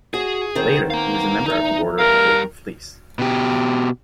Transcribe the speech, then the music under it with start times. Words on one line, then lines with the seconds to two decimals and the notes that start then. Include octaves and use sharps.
Later, he was a member of the Order of the Golden Fleece.
0.14 F#4 G#4
0.55 D#3 B3 C4
0.90 F5 A#5
1.46 E2 D#4 A#5
1.99 G3 A#4 F5
3.19 B2 G4